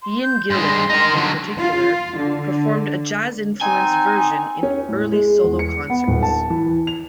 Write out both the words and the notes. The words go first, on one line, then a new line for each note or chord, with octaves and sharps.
Ian Gillan in particular performed a jazz-influenced version in early solo concerts.
C6
G6
G2 G#3 C6
D#4 A#4
D3 F#3
F4
D3
C4 D#4 G#5
C#4
A2
G#3
E2
C#7
B3
D#1
A5
E3
F7